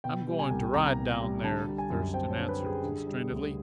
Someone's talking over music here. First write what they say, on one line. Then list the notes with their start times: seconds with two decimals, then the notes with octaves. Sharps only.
"I'm going to ride down there," Thurston answered constrainedly.
0.04 B2 G5
0.28 G3
0.39 G#5
0.50 C2
0.74 C2 A#5
0.98 B2
1.21 G3
1.44 D3 A5
1.67 G3
1.78 G#5
1.90 F#2
2.14 C4 G5
2.31 C#5
2.37 D3
2.49 B4
2.60 G3
2.66 G#4
2.84 D3
3.07 G3
3.30 D2